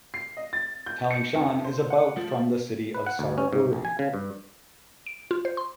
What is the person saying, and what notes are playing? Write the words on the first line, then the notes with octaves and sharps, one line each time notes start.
Taling Chan is about from the city of Saraburi.
C7
D#5
A6
G6
C#7
F2
C5
F#5
F3
B4
F#5
D2
C#4
G#2
A#1
G#5
C#3
G2
D7
F4
C5
C6